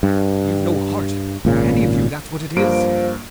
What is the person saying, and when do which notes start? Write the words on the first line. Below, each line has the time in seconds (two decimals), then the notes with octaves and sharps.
You've no heart, any of you--that's what it is?
0.03 G2
1.45 G#1 A#2 C#3
2.56 G2 F3 A#3 D7